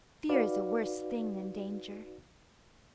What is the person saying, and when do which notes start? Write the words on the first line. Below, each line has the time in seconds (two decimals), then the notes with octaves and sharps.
Fear is a worse thing than danger.
0.29 D#4 F#4 B4 D5 F5